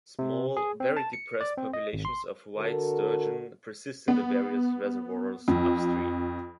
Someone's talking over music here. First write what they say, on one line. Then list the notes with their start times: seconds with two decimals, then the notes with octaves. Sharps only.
Small, very depressed populations of white sturgeon persist in the various reservoirs upstream.
0.19 C3
0.57 G#4
0.80 C4
0.97 A5
1.13 C#7
1.41 D5
1.57 C4
1.73 D#5
1.93 G#1
2.05 C6
2.57 D3 F#4 A4 A#4
4.08 B3
5.48 F2